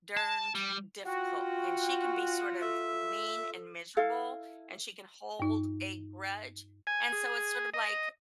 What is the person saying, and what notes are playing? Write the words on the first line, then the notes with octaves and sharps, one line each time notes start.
darned difficult, and she can be sort of mean and miserable, and she can hold a grudge, and so it's sort of like,
A5
G3
F4 F#4 G5
A4 E5
E4 A4 F5
G2 D#4
G#5
G#4
D#5